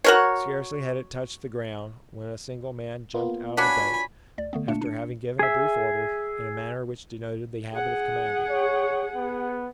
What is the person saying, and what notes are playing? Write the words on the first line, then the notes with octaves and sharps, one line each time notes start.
Scarcely had it touched the ground when a single man jumped out of the boat, after having given a brief order, in a manner which denoted the habit of commanding.
F#4 A#4 C#5
A#3 B3 F4
D4 F#4 C#5 G#5 B5 B6
D2 D5
D3 A3 B3
A#2 A3 A#3 D4 A5 C#7
D4 C#7
G#4 E5
G#4 F#5
C#5
B3